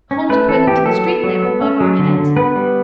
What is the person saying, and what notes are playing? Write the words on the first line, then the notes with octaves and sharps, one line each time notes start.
Holmes pointed to the street lamp above our heads.
C#4
A3 B4
E3 A4
E3 G4
F#3 A4
B3
F#3
B3
C#4
F#3
D3
D3
B3 B4
G3